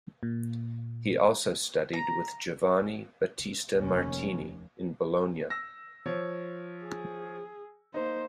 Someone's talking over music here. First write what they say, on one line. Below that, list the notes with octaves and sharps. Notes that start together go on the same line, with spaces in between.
He also studied with Giovanni Battista Martini, in Bologna.
A#2
A#5
F1 D#2 C#4
E6 A#6
F3 C#5
G#4
A#3 D#4 C5